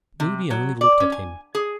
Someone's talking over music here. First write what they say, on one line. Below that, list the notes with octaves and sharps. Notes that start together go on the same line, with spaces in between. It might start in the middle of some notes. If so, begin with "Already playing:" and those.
Moody only looked at him.
C3
F#3
D5
C#4
G#5
G#4